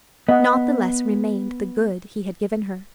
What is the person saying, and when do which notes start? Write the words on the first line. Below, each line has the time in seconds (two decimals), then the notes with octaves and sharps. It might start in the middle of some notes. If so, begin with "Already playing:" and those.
Not the less remained the good he had given her.
0.29 B3 D#5 F#5